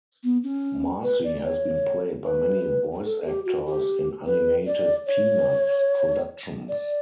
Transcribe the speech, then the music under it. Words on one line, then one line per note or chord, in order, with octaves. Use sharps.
Marcie has been played by many voice actors in animated "Peanuts" productions.
B3
C#4
B4
D5
C#5
B4
A4
G4
F#4
G4
B4
D5
C#5
D5